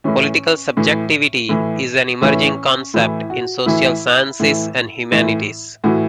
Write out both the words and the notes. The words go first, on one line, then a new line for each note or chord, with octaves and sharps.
Political subjectivity is an emerging concept in social sciences and humanities.
A2 E3 C#4
A2 E3
A2 E3
A2 E3 C#4
A2 E3 E4
F#4
A2 E3 E4
A2 E3
A2 E3
A2 E3 F#4